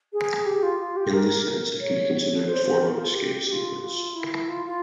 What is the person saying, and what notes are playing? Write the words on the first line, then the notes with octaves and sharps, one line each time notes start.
In this sense, it can be considered a form of escape sequence.
G#4
G4
F4
F4
G4
A#4
C#5
C#5
C5
C5
A#4
F4
G4
G4
F4
G4
F4
E4
F4
F4